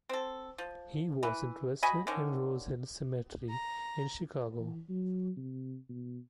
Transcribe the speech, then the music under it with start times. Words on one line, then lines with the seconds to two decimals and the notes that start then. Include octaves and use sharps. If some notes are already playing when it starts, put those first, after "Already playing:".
He was interred in Rosehill Cemetery in Chicago.
0.09 C4 A4
0.58 F3
1.23 E3 E4
1.83 F#4 D#5 G#5 B5
2.07 D3 D#3 C#4
3.49 A#5
4.59 E3
4.88 F#3
5.37 C3
5.89 B2